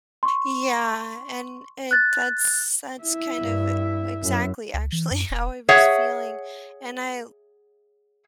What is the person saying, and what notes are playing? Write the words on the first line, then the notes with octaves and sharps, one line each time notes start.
Yeah, and it that's that's kind of e exactly actually how I was feeling. And I
C6 C#6
F#6 A6
E4 E5
G2
F#2
C#2
E3
F#2
E1
G#4 C#5 E5 F#5